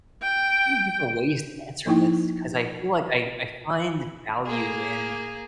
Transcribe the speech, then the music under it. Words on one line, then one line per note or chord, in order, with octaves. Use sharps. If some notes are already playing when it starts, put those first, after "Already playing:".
many different ways to answer this 'cause I feel like I I find the value in
G5
F3 A#3 D#4 E4 G5
A#3 G#4